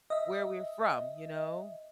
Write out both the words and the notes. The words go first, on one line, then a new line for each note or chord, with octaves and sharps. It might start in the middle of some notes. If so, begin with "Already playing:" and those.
where we're from, you know?
D#5 E5